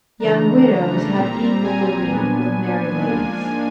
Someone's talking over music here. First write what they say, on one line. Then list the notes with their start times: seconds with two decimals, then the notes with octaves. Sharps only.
Young widows have equal liberty with married ladies.
0.20 C#3 E3 A3 D4 A#5
1.15 A#2 G3 C4
1.64 G#5
2.12 A#2 F#3 B3 D4
3.07 G#2 F3 A#3 D4